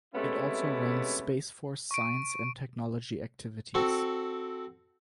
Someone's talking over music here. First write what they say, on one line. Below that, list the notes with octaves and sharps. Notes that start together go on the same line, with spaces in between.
It also runs Space Force science and technology activities.
C3 G#3 A3 B3 C#4 E4
C#6 D7
C4 F#4 A4